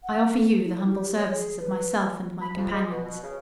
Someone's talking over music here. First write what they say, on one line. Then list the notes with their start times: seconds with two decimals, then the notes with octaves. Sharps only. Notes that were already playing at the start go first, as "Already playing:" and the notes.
I offer you the humble services of myself and my companions.
0.03 F#5
0.35 A4
0.65 E4
0.90 G4
1.16 C#5
1.34 G#4
1.60 B4
2.41 B5
2.57 F2
2.72 G#3
2.90 B2
3.04 B2
3.23 C#3